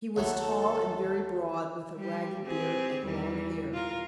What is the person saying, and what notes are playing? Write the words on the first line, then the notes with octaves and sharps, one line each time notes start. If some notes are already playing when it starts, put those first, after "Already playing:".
He was tall and very broad, with a ragged beard and long hair.
D#2 F#3 A3 A4
G3 G4
C4 G4 G#4
E2 E3 G3
F4 A#4